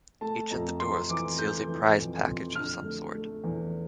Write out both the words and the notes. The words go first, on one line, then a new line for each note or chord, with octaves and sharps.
Each of the doors conceals a prize package of some sort.
A3 A5
F2 A#5
C4 C6
E3 D6
A3 G6
E3
F2
F2
D3 F6
A3
A3
E2